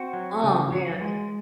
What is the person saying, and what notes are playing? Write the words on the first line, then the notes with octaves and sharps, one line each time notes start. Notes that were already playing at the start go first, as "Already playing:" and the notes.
Oh, man.
Already playing: C4 F#4
F#3
C#3
F#3
G#3